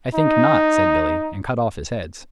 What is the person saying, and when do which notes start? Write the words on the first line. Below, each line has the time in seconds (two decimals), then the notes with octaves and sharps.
"I think not," said Billy, and cut off his heads.
0.15 D#4